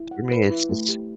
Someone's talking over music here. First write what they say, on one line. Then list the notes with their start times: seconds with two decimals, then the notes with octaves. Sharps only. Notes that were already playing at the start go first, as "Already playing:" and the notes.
For me, it's it's
Already playing: E4
0.11 F#5
0.31 B4
0.50 E4
0.69 A3
0.89 G4